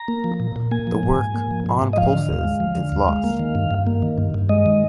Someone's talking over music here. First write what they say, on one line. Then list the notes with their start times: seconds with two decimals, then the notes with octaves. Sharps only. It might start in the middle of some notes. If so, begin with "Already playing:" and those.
The work "On Pulses" is lost.
Already playing: A#5
0.08 A#3
0.24 F3
0.40 A#2
0.56 A#2
0.71 A#3 G#5
0.87 F3
1.03 G#2
1.19 G#2
1.34 A#3
1.51 F3
1.66 G#2
1.82 G#2
1.93 D#5
1.97 F3 F5
2.13 D3
2.29 D#2
2.45 G#3
2.60 F3
2.76 D3
2.92 D#2
3.08 G#3
3.24 A#3
3.39 D#3
3.55 G2
3.71 G2
3.87 A#3
4.02 D#3
4.18 G2
4.34 G2
4.49 G#3 D#5
4.66 D#3